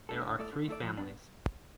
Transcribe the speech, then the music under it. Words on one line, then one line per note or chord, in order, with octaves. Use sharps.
There are three families.
A3 D4 A4
D3
A3 E4 A4 D5
D3
A3 E4 A4 D5
F3
B3 D4